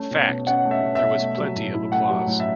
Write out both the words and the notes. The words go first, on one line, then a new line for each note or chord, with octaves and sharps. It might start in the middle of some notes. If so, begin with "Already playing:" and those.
Fact: There was plenty of applause.
Already playing: A3 C#4
B2
B2
C#4 F#5
A3
E5
B2
E5
B2
A3
F#3
A2
E4
A3 F#5
F#3
A2
E5